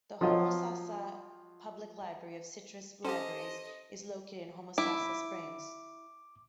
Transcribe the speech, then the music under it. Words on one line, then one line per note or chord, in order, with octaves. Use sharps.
The Homosassa Public Library of Citrus Libraries is located in Homosassa Springs.
F3 F#3 F4 D#5
C#4 G4 A4 C5 D#5
E4 D6